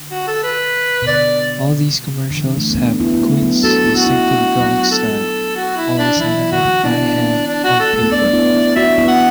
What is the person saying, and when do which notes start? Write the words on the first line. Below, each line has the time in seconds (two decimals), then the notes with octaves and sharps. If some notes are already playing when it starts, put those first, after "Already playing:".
All these commercials have Quinn's distinctive drawing style, always animated by hand, on paper.
Already playing: D3
0.11 F#4
0.28 A4
0.44 B4
1.02 B2
1.07 D3 D5
2.30 D3
2.35 E3
2.57 A3
2.70 B3
2.78 A3 D4
3.00 B3 E4
3.14 E4
3.21 A3 D4
3.42 F#3 B3
3.64 D4 F#4 A4
3.85 B3 E4
3.96 F#4
4.06 B3 E4
4.27 A3 D4
4.60 F#3 B3
4.92 A4
5.56 F#4
5.77 E4
5.99 D4
6.16 E3
6.20 F#3 E4
6.52 D3 F#4
6.83 B3 D4 E4
7.48 D4
7.64 F#4
7.80 A4
7.93 A3 A4
8.02 B3
8.12 A3 D4 D5
8.26 D4
8.33 B3 E4
8.54 B3 E4
8.76 D4 F#4 E5
8.98 B3 E4
9.08 F#5